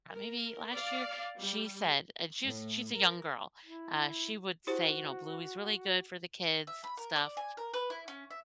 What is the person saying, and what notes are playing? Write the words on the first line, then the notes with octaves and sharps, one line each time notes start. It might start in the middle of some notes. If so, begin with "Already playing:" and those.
uh, maybe last year? She said- and she's she's a young girl- uh, she would say, you know, "Bluey's really good for the kids stuff."
A#4
D5 F5
G3
A2
A#4
E4
E4 F#4 G4 C5
E5
B5
A#4
D5
G#5
A#4
B4
E4
C#4
E5